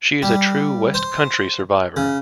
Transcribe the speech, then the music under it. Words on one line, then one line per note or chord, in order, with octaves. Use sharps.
She is a true west country survivor.
G3
C5
C#3